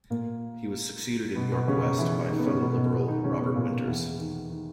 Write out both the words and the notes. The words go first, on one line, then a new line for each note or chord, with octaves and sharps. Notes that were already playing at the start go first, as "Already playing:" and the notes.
He was succeeded in York West by fellow Liberal Robert Winters.
A#2 A#3
B2 B3
B2 B3
C#3 C#4
D#3 D#4
E3 E4
E3 E4
D#3 D#4
B3
C#3 C#4
B2 B3
B2 B3
B2 B3
D#3 D#4
C#3 C#4
B2 B3
A#2 A#3
E2 E3
D#3
D#3